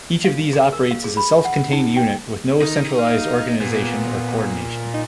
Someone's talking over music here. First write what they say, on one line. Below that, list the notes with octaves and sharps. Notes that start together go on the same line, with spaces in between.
Each of these operates as a self-contained unit, with no centralized organization or coordination.
F5
G#4
A#4
F5
G#4
B5
F#5
D#4
G5
D#3 D#4
F5
A#2 B3
D#4